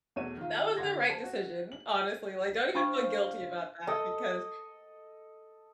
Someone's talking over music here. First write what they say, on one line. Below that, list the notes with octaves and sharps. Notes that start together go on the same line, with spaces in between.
That was the right decision, honestly, like, don't even feel guilty about that because
E2 B2 A3 C#5 D#7
D#3 F4
D3 F#5 C6 G#6 A#6
C5 A5
F#4
F#7
D4 C5 F5 B5 C#6
A4 D#5